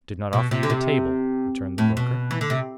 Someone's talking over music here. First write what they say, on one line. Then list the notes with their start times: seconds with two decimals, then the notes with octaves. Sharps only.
"I did not offer you the table," returned the broker.
0.33 B2
0.51 C3
0.63 D3
0.70 C3
1.78 A2
1.97 B2
2.31 E3
2.41 D3
2.50 C3